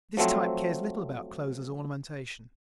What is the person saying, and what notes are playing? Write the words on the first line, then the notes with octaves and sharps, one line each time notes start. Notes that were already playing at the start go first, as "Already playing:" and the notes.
This type cares little about clothes as ornamentation.
F3 F#3 A3 C4